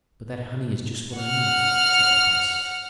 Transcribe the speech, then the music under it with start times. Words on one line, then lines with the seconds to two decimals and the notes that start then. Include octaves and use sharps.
"But that honey is just what I need," said the prince.
1.18 F#5 F6